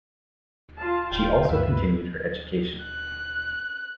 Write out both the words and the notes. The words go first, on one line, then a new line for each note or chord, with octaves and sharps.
She also continued her education.
F4 F5 A5
D#1 F4 F5 G5
D2 G2 A3 B4 E5
F#6